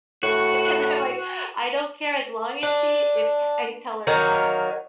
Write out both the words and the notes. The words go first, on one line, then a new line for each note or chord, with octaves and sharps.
And I'm, like, "I don't care as long as she if" I had to tell her,
A2 F#4
D4
D#3 F#3 A#3 C#4